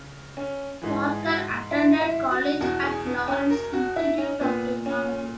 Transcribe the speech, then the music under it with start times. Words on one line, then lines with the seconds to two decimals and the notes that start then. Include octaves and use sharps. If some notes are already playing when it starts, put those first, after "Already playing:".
Parker attended college at Lawrence Institute of Technology.
Already playing: C#3
0.37 C#4
0.82 G#2 E3
1.04 G#4
1.26 F#4
1.71 E4
2.01 E4
2.31 F#4
2.61 E2 B2 F#4
2.83 G#4
3.06 B3
3.28 C#4
3.50 A#4
3.73 F#4
3.96 E4
4.18 C#4
4.41 A#2 B3
4.86 C#4